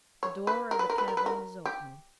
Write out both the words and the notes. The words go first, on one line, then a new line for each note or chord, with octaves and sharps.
The door of the cavern was open.
C#5
B4
A#4
B4
A#4
B4
A#4
B4
A#4
G4